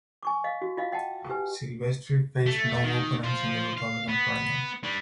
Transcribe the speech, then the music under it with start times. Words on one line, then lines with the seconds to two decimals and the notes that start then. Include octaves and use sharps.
Silvestri faced no opponents in the Republican primary.
0.23 G#5 C#6 D6
0.44 D#5 F5
0.62 F#4
0.77 F4 D#5 F5
0.92 D#5 F#5 G5 A5
1.29 G4 B4 G#5
2.46 A3
2.84 D#3
3.24 F4 C5
3.78 F5
4.09 B3
4.83 G3 D4